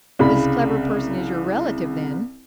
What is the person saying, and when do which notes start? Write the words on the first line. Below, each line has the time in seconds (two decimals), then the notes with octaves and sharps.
"This clever person is your relative, then?"
0.19 C2 C#3 B5